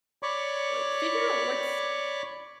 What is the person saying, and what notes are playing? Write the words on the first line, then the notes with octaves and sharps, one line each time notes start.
what figure out what's
C#5 D5 B5 C#6 D6